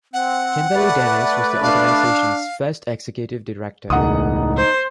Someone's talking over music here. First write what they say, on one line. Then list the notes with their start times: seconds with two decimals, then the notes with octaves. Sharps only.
Kimberly Dennis was the organization's first executive director.
0.13 C4 F#5
0.75 A3 B4 D5
1.63 D4 F5
3.90 E1 C#2 A2 D#4 F#5 D#6
4.57 C5